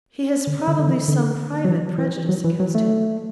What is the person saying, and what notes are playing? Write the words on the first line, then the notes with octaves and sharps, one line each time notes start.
"He has probably some private prejudice against him."
D3
D3
D3
E3
D3
F#3
E3
E3
F#3
E3
F#3
A3